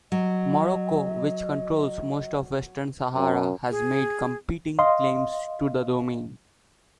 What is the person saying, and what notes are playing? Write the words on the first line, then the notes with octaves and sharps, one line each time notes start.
Morocco, which controls most of Western Sahara, has made competing claims to the domain.
F#3 D#5
F#2
G#4
D#5 F5 C6